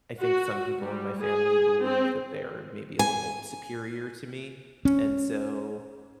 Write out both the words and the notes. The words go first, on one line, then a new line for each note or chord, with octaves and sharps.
I think some people in my family believe that they're maybe a little superior to me, and so
F#4
G3
G#4
C4
G#5
C#4